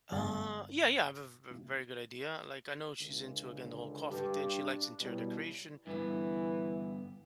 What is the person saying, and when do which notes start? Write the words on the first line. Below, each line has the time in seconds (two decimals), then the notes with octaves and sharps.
Uh, yeah, yeah, I have a v v very good idea. Like, I know she's into, again, the whole coffee thing, she likes interior decoration,
0.12 G1 G#4 D5 F5 A5
3.01 C#2 D3
4.09 G2 G4
4.54 D4
5.01 B2 F#3 G3 E4
5.87 G2 D3 E3 B3